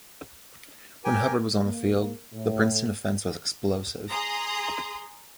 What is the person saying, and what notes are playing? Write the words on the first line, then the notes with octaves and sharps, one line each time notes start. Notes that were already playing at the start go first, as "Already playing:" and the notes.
When Hubbard was on the field, the Princeton offense was explosive.
G4 A#4 G5 G#5
A#3
A2
G#4 A#5 C6 D#6